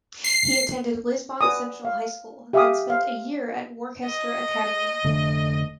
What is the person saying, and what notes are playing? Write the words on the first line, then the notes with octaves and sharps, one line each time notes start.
He attended Lisbon Central High School, then spent a year at Worcester Academy.
C7
F#4 B4 D5 G#5 D#6
F5
G4 E5 F5 G#5 D6 D#6
C5 F5
D#5
F1 D3 A3